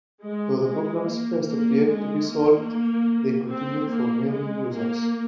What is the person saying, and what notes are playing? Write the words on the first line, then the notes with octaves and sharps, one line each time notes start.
Though the problems first appeared to be solved, they continued for many users.
G#3
G#3
A#3
A#3
G#3
A#3
C4
A#3
G#3
A#3